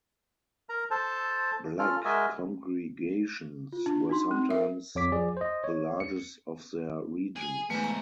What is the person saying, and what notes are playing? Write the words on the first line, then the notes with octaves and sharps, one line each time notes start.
Black congregations were sometimes the largest of their regions.
A#4 A#5
A4 C5 A5
C#4 F4 A4 F6
G#3 F#4 A#4 D#5 E5 G#5
F4
D4
D#4 F#4 C6
C4
A#4 E5
F2 C#5 D6 B6
F3 G#4 D5
C5 D#5
C#5
C#7
G#4
E2 G#2 A3 B4 G#5
A#5